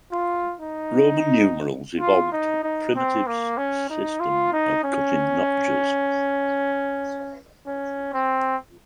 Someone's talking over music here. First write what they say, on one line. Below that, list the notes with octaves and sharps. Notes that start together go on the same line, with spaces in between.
Roman numerals evolved primitives system of cutting notches.
F4
D#4
F4
D#4
D#4
C4
A#3
C#4
D#4
F4
D#4
C#4
C#4
C4